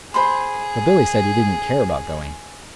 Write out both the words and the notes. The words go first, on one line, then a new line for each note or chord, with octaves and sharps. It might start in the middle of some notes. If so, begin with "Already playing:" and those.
But Billy said he didn't care about going.
G#4 C5 B5 C6